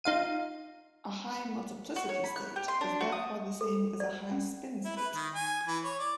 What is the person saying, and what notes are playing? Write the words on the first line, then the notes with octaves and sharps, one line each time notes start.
A high multiplicity state is therefore the same as a high-spin state.
D#4 F4 F5 D#7
F#4
C#5
B5
F#6
G4
C6
D4
F#4
D#6
A4
D5
C#4
E4
B4
D#3
G#5
E3
C#5
D5